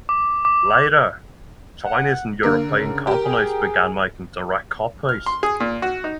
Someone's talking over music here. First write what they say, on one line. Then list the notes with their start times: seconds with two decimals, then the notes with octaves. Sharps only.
Later Chinese and European companies began making direct copies.
0.09 D6
0.45 D6
1.84 F#5
2.43 D3 A#3 A#4
2.68 C#3
3.07 G4 A#4
3.24 G#4
5.09 F6
5.26 C6
5.43 G#4
5.60 A#2
5.82 F#4
6.04 D#4